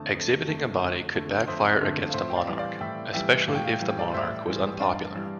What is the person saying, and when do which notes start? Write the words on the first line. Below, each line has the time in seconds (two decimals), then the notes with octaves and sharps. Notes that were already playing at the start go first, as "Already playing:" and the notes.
Exhibiting a body could backfire against a monarch, especially if the monarch was unpopular.
Already playing: F2 D3 A3 A5
0.14 F2
0.48 D3 A3
0.81 F2
1.15 D3 A3
1.47 F2 C5 E5
1.81 D3 A3
2.09 F5
2.13 A2 C5 E5
2.30 G5
2.36 D5 F5
2.48 E3 G3
2.59 D5 F5
2.81 A2 E5 G5
3.13 E3 G3 E5 G5
3.48 A2 F5
3.55 G5
3.65 F5
3.73 G5
3.80 E3 G3 F5
3.90 G5
3.99 D5 F5
4.13 A2 C5 E5
4.47 E3 G3
4.80 G2 D5 F5
5.14 E3 G3